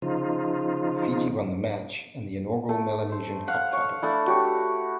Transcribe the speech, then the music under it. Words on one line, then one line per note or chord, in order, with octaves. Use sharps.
Fiji won the match and the inaugural Melanesian Cup title.
C#3 F3 D#4 F4
A3
C5
F5 F#5
C#5
A3 D4 E4
F#4 G4 C#5